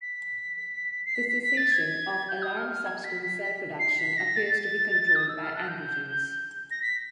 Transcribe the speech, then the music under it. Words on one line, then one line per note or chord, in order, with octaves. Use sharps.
The cessation of alarm substance cell production appears to be controlled by androgens.
B6
C7
B6
B6
B6
A6
G#6
G6
D#6
F6
F6
G#6
B6
B6
B6
C7
B6
A#6
A6
A6
D#6
E6
F6
F#6
G6
A#6
B6